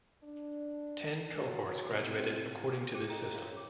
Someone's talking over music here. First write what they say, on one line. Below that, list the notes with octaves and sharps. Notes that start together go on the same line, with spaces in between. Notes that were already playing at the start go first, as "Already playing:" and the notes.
Ten cohorts graduated according to this system.
D4
F#3
C3
F5 D6
G4 G#4 C5 G5 D6
A4 D#5 G5 A#5 D#6
C5
A#4 C#5 E5 F5 C6
C#4 D6